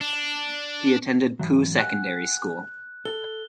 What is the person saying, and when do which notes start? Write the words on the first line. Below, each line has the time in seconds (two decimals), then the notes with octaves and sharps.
He attended Poo Secondary School.
0.01 D4
1.39 G#2 E3 F#3
1.79 G4 F#5 G#5 F#6
3.05 A4 G7